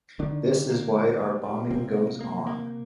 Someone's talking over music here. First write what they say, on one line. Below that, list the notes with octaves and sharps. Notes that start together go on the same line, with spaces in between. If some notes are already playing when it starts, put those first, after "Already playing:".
This is why our bombing goes on"".
D3 D#3 D4
G3
A#3
G3
G3
G3
C3 A#3 C4
A#3
A#3
A#3